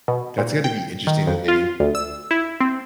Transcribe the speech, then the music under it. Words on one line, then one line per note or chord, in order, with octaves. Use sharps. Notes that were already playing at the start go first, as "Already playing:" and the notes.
That's gonna be interesting that they
B2
A#2
G5
D#3
F2
F4
D2
E6
E4
C4